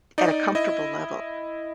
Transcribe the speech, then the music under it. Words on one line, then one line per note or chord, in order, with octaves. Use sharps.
at a comfortable level.
D#4 D5
E4 D#5